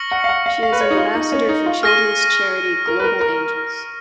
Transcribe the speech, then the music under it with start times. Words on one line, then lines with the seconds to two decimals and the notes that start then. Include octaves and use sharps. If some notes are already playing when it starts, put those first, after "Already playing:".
She is an ambassador for children's charity Global Angels.
Already playing: C#6 F6 A#6 C#7 F#7
0.11 F#5
0.24 F5
0.29 F#5
0.46 F5
0.63 F5
0.72 B4
0.81 C#5
0.91 D#4
0.97 F4
1.15 D#4
1.32 C#4
1.49 D#4
1.66 F4
1.83 G#4 F6 A#6 D#7
2.87 A#4
2.99 B4
3.04 A#4
3.21 A#4